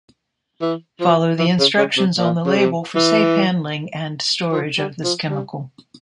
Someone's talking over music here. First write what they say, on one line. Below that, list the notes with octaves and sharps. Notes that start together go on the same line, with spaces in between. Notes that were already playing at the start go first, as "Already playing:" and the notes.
Follow the instructions on the label for safe handling and storage of this chemical.
E3
F3
E3
C#3
C#3
C3
A#2
C#3
C3
E3
F3
G3
F3
G3